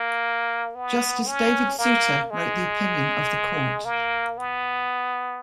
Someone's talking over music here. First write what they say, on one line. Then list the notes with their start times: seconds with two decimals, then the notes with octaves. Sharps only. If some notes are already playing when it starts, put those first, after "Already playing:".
Justice David Souter wrote the opinion of the Court.
Already playing: A#3
0.75 B3
1.27 C#4
1.78 A#3
2.30 G#3
3.85 A#3
4.37 B3